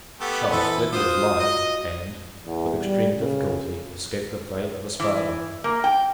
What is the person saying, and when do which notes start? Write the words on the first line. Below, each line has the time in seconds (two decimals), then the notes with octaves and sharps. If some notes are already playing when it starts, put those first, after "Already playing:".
Charles fled for his life, and, with extreme difficulty, escaped the fate of his father.
0.20 A3 B3 G4 A4
0.51 E3 A4 B4 C5
0.93 F4 F#4 C5 D#6
1.40 D#5
2.46 E2
2.79 G3
3.17 C#3
5.00 E3
5.64 A#3
5.84 G5